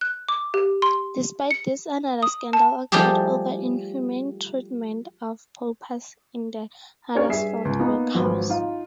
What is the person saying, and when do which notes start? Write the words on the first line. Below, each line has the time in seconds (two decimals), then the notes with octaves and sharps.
Despite this another scandal occurred over inhumane treatment of paupers in the Huddersfield workhouse.
0.01 F#6
0.29 D6
0.54 G4
0.82 C6
1.51 C#7
2.23 D#6
2.53 A5
2.92 F3 G3 A3 G4 G#4
7.15 C#4 D4 G4 A#4 C#5 D5
7.29 G2 G#4 E5 C7
7.65 C#2
7.79 A#3 B3 D#4
8.15 G#1 F3 F#3 B4
8.49 D#4 F4